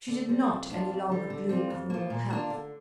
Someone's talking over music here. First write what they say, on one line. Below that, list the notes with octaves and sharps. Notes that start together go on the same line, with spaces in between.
She did not any longer bloom with normal health.
D3
G3 C4
F2
F3 D4 F4
F2
D3 G3
D3
G3 C4 F4
F2
F3 A#3
A#2
A#3 D4 F4
D3